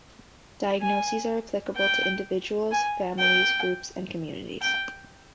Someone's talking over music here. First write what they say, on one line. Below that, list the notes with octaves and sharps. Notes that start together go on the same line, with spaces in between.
Diagnoses are applicable to individuals, families, groups and communities.
G#5
G5
G#5
G5
G5